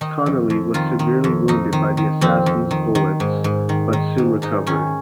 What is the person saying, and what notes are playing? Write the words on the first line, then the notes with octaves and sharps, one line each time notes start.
Connally was severely wounded by the assassin's bullets but soon recovered.
D#3 D#4
F2
F2
D#3 F4
D#3
F2
F2 D#4
D#3
D#3
F2 C4
F2
D#3
D#3
G#2
G#2
D#3
D#3
G#2
G#2 D#4
D#3 C#4